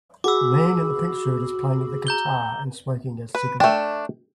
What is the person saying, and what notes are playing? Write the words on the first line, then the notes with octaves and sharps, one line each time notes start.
The man in the pink shirt is playing the guitar and smoking a cigarette.
F#4 G#4 B5 D6 E6
A#5 G6 G7
B4
A3 D4 G5